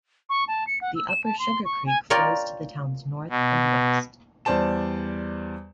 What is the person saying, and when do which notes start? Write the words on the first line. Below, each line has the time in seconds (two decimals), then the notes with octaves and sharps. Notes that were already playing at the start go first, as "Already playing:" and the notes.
The Upper Sugar Creek flows to the town's north and west.
0.29 C#6
0.48 A5
0.67 C#7
0.81 F#5
0.95 E6
1.09 E7
1.24 A5
1.39 C6
1.65 C#6
1.86 G#5
2.10 F4 A#4 C#5 D5 G5
3.30 B2
4.45 E2 G3 C5 D5 A5 E7